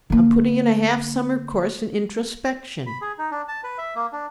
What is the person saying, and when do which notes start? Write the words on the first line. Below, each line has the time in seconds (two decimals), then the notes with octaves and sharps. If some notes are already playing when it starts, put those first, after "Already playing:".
I'm putting in a half summer course in Introspection.
0.10 D3 A#3
2.87 B5
3.01 G#4
3.18 D#4
3.31 D4
3.48 A5
3.64 B4
3.78 E5
3.96 A#3
4.12 D4